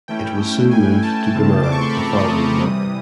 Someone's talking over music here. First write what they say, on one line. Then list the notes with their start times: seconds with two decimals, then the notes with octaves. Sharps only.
It was soon moved to Boomerang the following month.
0.08 E3 A3 C#4 E4 G5
0.71 G#5
1.03 A5
1.34 C#3 E3 A3 C4 F4
1.63 D6
1.72 C#6
1.81 C6
1.90 B5
1.98 A#5
2.19 D#6
2.61 C3 E3 G3 D#6